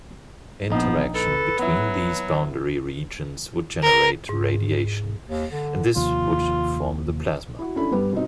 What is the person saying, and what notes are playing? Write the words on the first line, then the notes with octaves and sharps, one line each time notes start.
Interaction between these boundary regions would generate radiation, and this would form the plasma.
A#1 F3 B3 D#4
A4 B4
F#3 B3 E4
A#4
G#2
D#2
D3
D#2 C3 F3 F4
E4 F#4
C#4 D4 E4 A4 B5
G2 G3 B3 G4
B2 C4 D#4